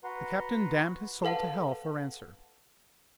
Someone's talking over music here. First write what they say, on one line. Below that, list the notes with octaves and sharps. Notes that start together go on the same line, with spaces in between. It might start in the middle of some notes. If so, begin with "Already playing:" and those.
The Captain damned his soul to hell for answer.
F#4 B4 F#5 A#5 C6
A4 B4 F5 F#5 A5